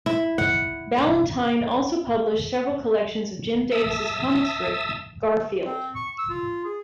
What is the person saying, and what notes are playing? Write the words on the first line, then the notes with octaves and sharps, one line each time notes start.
Ballantine also published several collections of Jim Davis' comic strip "Garfield".
E4
F#5
E5 A5 D#6 E6
C4
C#6
E6
F4
G#4